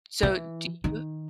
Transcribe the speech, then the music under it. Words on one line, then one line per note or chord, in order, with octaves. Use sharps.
So do you
E3
D#3